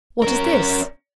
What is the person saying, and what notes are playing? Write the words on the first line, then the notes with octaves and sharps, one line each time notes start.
"What is this?"
C#4 A#4